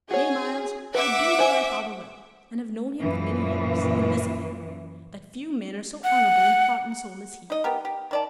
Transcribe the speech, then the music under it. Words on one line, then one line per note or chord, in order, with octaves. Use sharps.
Nay, Myles, I do know thy father well, and have known him for many years, and this of him, that few men are so honorable in heart and soul as he.
F#4 G#4 C#5
B4 E5 F#5 D6
C5 G#5
F#2 A#2 E3 F3
F#5
D#4 D#5
B3 G4 A#4
G4
D#3 D5 A5